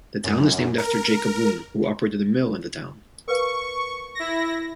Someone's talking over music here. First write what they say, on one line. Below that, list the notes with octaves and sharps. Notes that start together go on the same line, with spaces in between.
The town is named after Jacob Boon who operated a mill in the town.
F#2
A#4
A#4 B4 F5 C#6
E4 A#6